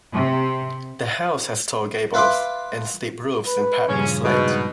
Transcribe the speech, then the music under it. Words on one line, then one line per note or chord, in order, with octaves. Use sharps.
The house has tall gables, and steep roofs in patterned slate.
C3
F4 B4 E5 B5 C6 D6
B4
G2 A#2 C#3 F3 C#4
G#2 B2